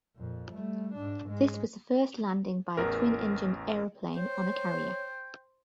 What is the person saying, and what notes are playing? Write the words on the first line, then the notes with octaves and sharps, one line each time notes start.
This was the first landing by a twin-engined aeroplane on a carrier.
F2 A#2
G3 A3
G#2 D4
G#2 G#3
A1 E2 A#4
C5 C#5 G5